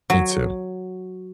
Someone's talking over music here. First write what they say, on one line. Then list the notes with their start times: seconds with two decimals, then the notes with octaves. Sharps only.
You too.
0.10 F#3